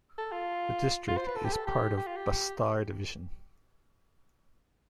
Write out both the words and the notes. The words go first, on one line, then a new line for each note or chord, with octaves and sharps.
The district is part of Bastar Division.
A4
F4
F4
C5
B4
A4
G4
A4
G4
G4
F4
G4